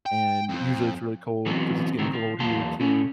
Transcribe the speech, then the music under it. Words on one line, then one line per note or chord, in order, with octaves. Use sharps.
and usually it's really cold, 'cause it's getting cold here too.
G5
F2
E3 F#3 B3 C4
C#2 A2 D#3 C4
F3
E2 F#3 A#3 A5 C6
C#4 A4